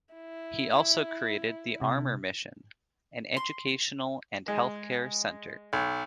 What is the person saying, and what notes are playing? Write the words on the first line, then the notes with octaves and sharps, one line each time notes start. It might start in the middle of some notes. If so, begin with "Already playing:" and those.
He also created the Armour Mission, an educational and healthcare center.
E4
C3
C6
G#3
B1